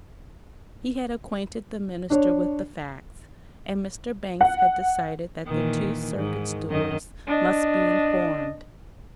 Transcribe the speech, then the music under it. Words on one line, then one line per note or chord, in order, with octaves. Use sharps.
He had acquainted the minister with the facts, and Mr. Banks had decided that the two circuit stewards must be informed.
D4 C#5
F#5
A#2 D#3 E3
G#2 D#3
F#2 D#3 D#5
D4 D#5